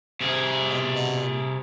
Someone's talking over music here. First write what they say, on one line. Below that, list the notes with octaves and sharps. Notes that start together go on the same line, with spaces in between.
and then
C3 G#4